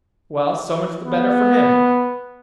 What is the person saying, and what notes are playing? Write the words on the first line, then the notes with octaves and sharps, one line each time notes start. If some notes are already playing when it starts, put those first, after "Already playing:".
"Well, so much the better for him."
B3